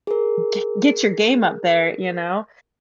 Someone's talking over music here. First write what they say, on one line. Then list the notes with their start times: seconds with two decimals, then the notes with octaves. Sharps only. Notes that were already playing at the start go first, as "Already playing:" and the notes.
gre get your game up there, you know,"
0.07 G#4 A#4